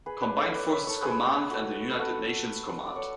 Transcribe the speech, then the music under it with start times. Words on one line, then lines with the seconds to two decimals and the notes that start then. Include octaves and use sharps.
Combined Forces Command, and the United Nations Command.
0.06 G#4 B4
0.22 B4 D5
0.38 A4 C#5
0.49 E5
0.54 B4 D5
0.70 C#5 E5
0.87 A4 C#5
1.02 G#4 B4
1.51 F#4 A4
1.91 B4
1.99 F#4 A4
2.86 D5
2.95 A4 C#5